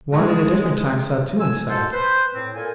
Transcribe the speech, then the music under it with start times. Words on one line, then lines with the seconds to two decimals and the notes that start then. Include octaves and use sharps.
One at a different time saw two inside.
0.13 G#3
1.40 A3 G#5 E6
1.69 C2 B2 G#3 A4 C5 A5
1.92 B4 C5
2.34 A2 C4
2.55 A#2 A4 A#4 G#5